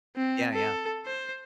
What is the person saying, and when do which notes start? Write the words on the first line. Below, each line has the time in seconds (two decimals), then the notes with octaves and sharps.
Yeah, yeah.
0.16 C4
0.53 A4
1.06 C5